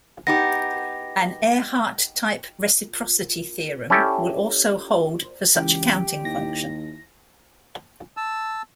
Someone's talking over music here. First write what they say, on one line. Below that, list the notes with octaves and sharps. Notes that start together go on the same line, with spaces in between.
An Ehrhart-type reciprocity theorem will also hold for such a counting function.
B3 D#4 G4 A#6
C#4 E4 G4 A4
C#2 E3 G4
D#2 E4 A#6
A5 E6